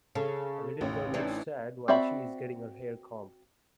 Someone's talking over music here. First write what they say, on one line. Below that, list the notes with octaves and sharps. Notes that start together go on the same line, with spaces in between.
A little girl looks sad while she is getting her hair combed.
C#3 A4
A1 D#2
E3 D4 D#4
C4 F#4 D5 E5 B5